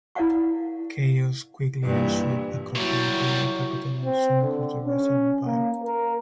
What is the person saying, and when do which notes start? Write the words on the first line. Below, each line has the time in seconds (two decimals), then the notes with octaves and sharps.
Chaos quickly ensued across the Imperial capital and soon across the Russian Empire.
0.15 E4 A#4 D5 F5 F#5 C#6
1.84 G2 A#2 E3
2.76 A#2 F#3 G3 E4 E5 C#6
4.05 C4
4.41 D3
4.87 C#4
5.46 A#3
5.84 A#4